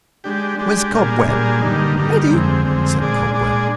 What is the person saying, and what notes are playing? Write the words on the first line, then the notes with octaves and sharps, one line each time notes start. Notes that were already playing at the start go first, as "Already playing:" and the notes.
"Where's Cobweb?" "Ready," said Cobweb.
G#3 D4 G4
G#3 D4 G4
A#2 G3 A#3 D4 G#4
A#2 G3 A#3 D4 G#4
G2 D3 G3 A#3 D#4
G2 D3 G3 A#3 D#4
F2 D3 G#3 C4
F2 D3 G#3 C4
A#2 G#3 D4 G#4 D5
A#2 G#3 D4 G#4 D5